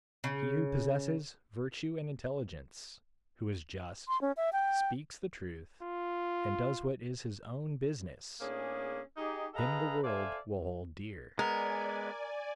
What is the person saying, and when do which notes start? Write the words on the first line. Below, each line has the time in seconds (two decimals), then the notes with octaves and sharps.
He who possesses virtue and intelligence, who is just, speaks the truth, and does what is his own business, him the world will hold dear.
0.24 C#3
4.08 C6
4.21 C#4
4.37 E5
4.53 G5
5.83 F4
8.41 A2 A#3 C#4 D4 G#4
9.17 D#4 G4 G#4
9.54 G#4 A4 B4 D#5 F5 A#5
10.04 A4 C5 D5 E5 F5 G#5
11.39 G#3 B3 A#4 D5 G#5